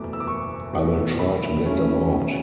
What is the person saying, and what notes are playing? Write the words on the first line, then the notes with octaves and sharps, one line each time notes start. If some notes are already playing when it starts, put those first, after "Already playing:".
I will try to get them out.
Already playing: F#1 E2 B2 A3 D6
E6
D6
F#1 C#6
E2 B2 A3
D2 B5
C#3 F#3 A3 C#4
D2